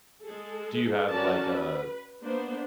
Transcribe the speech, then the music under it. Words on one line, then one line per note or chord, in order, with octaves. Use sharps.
Do you have like a
G#3 G#4 A4
C#4 F#4 A#4 D5 A5
B4
A#3 B3 D4 C5